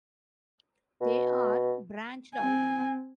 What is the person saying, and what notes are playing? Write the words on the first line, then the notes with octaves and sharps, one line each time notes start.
They are branched out.
B2
C4 G#5